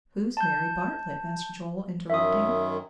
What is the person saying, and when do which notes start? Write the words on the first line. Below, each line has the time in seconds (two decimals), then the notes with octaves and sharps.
"Who's Mary Bartlett?" asked Joel, interrupting.
0.37 A5 G6
2.10 F#2 D#3 E5 D#6